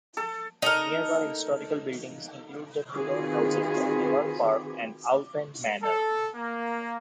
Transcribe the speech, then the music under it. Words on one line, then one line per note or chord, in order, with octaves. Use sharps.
Nearby historical buildings include the Tudor houses of Newark Park and Owlpen Manor.
A4
D#4 A4 A#4
D#3 C4 F4 F#4 G#4 B4
A4
A#3